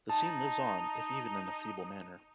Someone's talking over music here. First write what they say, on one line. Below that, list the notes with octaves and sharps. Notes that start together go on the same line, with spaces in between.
The scene lives on if even in a feeble manner.
D#4 A5